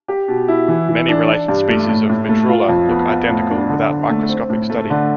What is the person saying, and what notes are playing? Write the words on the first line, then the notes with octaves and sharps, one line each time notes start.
Many related species of "Mitrula" look identical without microscopic study.
G4
B2
E4
E3
E3
D4
D4
G2
A3
A2
A2
A3
F4
F2
B3
F4
A2
D4
D3
D3
A3
C4
A2
A3
D3